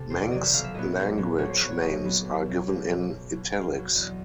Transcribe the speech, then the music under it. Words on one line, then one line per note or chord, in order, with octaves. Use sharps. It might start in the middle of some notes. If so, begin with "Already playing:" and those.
Manx language names are given in "italics".
Already playing: C3 A4
F2 C5
D5
C3 D#3 F#3 D#5
E5
B1 F5
E5
A#2 F#3 B3 D#5
B1
A#2 F#3 B3
B1 C#5
C5
A#2 F#3 B3 C#5
C#5
B1 D#5
A#2 F#3 B3
B1
B2 F#3
B1
B2 F#3
B1
B2 F#3
B1 F5
B2 F#3
E2 D#5